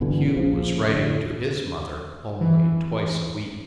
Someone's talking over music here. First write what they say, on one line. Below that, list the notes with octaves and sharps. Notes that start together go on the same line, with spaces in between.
Hugh was writing to his mother only twice a week.
G1 B2 D3 E3
A#1 C#3 F3
A2 D3
E3